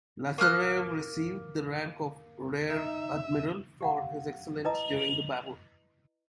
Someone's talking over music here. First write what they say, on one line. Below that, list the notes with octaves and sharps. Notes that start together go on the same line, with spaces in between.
Lazarev received the rank of Rear Admiral for his excellence during the battle.
A#3 D#6 F6 F#6
D#4 E5
G4 F5 F#5
E4 B4 D#5 A5 A#5 D#6